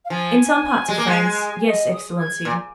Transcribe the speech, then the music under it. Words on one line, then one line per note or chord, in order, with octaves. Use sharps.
"In some parts of France--yes, excellency."
F5
F3 G#5
G#3
A#3
G#3
D#5
D#6
G#6
A#2